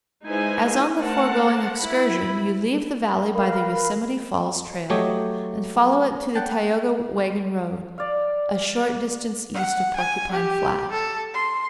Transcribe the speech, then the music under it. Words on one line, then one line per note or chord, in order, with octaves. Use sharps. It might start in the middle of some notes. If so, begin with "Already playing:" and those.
As on the foregoing excursion, you leave the Valley by the Yosemite Falls trail and follow it to the Tioga wagon-road, a short distance east of Porcupine Flat.
G#3 D#4 E4 B4 C5 G#5
A3 A#4 C5 F#5 A5
E4 B5
A#4 B4 F5 B5
F#3 A3 G4 C#5 D#5
F#5 G5 A5
D5 F5
F#5
G#5
G4
A4
C6